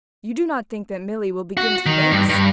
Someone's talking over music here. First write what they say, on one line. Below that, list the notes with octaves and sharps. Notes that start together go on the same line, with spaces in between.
"You do not think that Milly will begin to lace?"
F#4
D#3
G2
G2